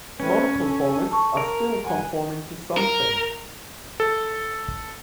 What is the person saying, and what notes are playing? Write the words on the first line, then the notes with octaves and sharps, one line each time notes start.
Non-conformists are still conforming to something.
A3 C4 C#4 B4
A4
A5 C#6
A#4
G2 F#5 G#5
A#4
A4